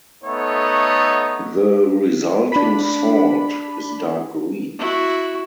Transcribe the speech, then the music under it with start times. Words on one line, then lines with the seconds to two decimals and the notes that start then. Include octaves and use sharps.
The resulting salt is dark green.
0.23 A3 B3 D#4 A4 C#5 E5
2.52 D4 B5
4.79 E4 F#4